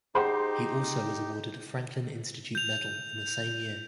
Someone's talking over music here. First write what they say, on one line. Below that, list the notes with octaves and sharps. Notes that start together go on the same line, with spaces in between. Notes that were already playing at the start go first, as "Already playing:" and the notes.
He also was awarded a Franklin Institute Medal in the same year.
D#4 G4 G#4 C5 F#5 G5 C6 D6
G6 F7